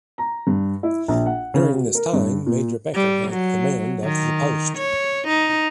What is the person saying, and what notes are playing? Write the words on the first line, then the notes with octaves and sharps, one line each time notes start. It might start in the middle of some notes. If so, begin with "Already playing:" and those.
During this time Major Becker had command of the post.
A#5
G2
E4
A#1
F#5
C#3
F#4
A#4
G2
A#2
G3
F#3
D#3
C#5
D#4